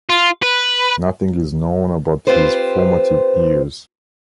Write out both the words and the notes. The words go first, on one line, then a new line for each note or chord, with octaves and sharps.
Nothing is known about his formative years.
F4
B4
C4 F4 G4 B4 C5